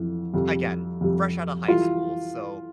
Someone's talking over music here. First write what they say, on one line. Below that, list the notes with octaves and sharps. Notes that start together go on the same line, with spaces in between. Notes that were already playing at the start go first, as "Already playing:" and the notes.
again, fresh out of high school. So,
Already playing: F2 E3
F2 C3 G3
F2 C3 G3
E3 G3 F4